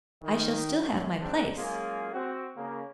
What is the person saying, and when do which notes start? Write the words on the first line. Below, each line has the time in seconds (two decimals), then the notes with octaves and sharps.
"I shall still have my place."
0.22 D#3
0.77 F#2
1.20 G#2 G#3 C4 D4
1.56 F#3 G#3 A#3 C#4 F4 G#4
2.13 C4 F#4
2.56 C#3 A#3